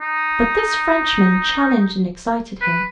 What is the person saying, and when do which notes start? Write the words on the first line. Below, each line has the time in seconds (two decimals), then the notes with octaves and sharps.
But this Frenchman challenged and excited him.
0.01 D#4
2.61 B4